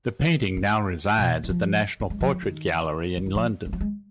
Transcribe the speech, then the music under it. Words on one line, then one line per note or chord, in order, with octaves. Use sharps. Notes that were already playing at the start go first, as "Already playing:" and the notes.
The painting now resides at the National Portrait Gallery in London.
G#2
B2
D#3
F3
A#3
G#3
F#3
F3
D#3
D3
D#3
F3
G#3
F#3
G#3